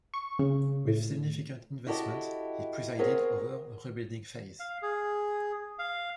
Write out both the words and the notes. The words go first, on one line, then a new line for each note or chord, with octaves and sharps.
With significant investment, he presided over a rebuilding phase.
C#6
C#3
A2
E4 F#4 G4 A4 A#4 D#5
B3 C4 G#4 A#4 C#5
F5
G#4
F5